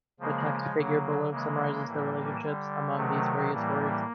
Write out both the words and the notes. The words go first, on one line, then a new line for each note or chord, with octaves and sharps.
The text-figure below summarizes the relationships among these various words.
C#3 F3 G#3 A#3
C#3 F#3 A#3
C#3 E3 G#3 A#3
A2 E3 G3
D3 G3
C3 D#3 F#3 A3
A2 E3 G3 A#3